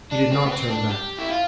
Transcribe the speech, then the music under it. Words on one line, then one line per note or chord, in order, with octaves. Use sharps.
He did not turn back.
D4
C4
B3
C4
D4
G4
E4
F4